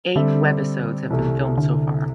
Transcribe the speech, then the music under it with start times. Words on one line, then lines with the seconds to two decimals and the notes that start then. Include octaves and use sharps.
Eight webisodes have been filmed so far.
0.16 D3 G3 C4 A4 E5
1.10 C2 C3 E3 A3
1.34 D3
1.58 D3